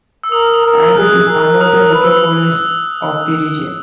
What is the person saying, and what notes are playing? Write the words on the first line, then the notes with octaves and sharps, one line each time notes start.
Angers is another metropolis of the region.
E6
A#4 D#6
D#6
A#4
E6
G#4 F#6
A#4
A#4 D#6
B4
E6